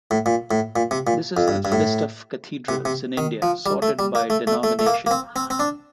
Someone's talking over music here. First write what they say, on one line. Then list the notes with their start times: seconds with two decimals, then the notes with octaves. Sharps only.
This is the list of cathedrals in India sorted by denomination.
0.11 A2
0.26 A#2
0.51 A2
0.76 A#2
0.91 C3
1.07 A#2
1.37 F2
1.48 G2
1.65 G2
1.72 A2
2.69 C3
2.85 C3
3.17 D#3
3.42 F3
3.66 G3
3.82 A3
3.99 G3
4.15 A#3
4.30 A3
4.47 A3
4.63 A3
4.79 A3
4.86 A#3
5.06 A#3
5.11 C4
5.36 C4
5.50 C4
5.60 D4